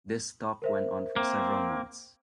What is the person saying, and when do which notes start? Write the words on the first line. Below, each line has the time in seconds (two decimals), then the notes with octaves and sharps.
This talk went on for several months.
0.62 A#4 C5 E5
1.16 A#3 C4